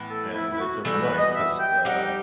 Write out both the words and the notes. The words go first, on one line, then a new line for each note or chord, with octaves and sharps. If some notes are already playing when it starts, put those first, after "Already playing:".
And they took her money because, uh,
Already playing: A2 E3 B3
A4
E4
E4
F#4
E3 G3 B3 F#4 A4
B4
D#5
E5
G5
G3 D#4 G4 F#5